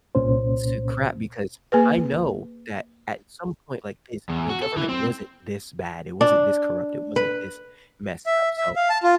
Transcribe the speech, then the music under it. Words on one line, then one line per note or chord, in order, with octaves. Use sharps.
to crap? Because I know that at some point, like, this the government wasn't this bad, it wasn't this corrupt, it wasn't this messed up. So,
C2 A#2 C#4 C5
A#3 G#4 B4
E2
F#4
A4
E3
C4
D4
B4
E5
E5
F5
A5
F4